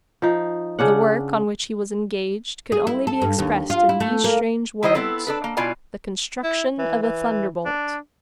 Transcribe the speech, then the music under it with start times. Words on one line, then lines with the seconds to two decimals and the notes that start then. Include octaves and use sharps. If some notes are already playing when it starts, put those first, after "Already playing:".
The work on which he was engaged could only be expressed in these strange words--the construction of a thunderbolt.
0.22 F3 D#4
0.79 C#3 D4 F#5
2.72 G#4
2.87 E4
3.07 A4
3.22 G2
3.38 D#2
3.70 F4
3.89 E4
4.00 A3
4.24 A#3
4.83 D#3 E4 C5 D#5
4.94 B3 C4 E4 A4
5.27 D4 A4 B4
5.44 A#3
5.57 B2 E4 F4 D5 G#5
6.43 E4
6.78 E3
7.02 E3
7.65 D4